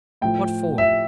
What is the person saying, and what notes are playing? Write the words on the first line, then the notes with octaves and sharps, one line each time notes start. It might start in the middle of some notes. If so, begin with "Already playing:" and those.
"What for?"
A2 F3 G5
E5